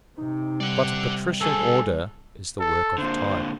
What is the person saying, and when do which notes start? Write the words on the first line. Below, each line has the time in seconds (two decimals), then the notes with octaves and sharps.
But a patrician order is the work of time.
0.17 C3 D#4
0.60 G3 D5 F#5
1.41 D2 G#4 A4
2.60 A4
2.98 A#2 D3 C5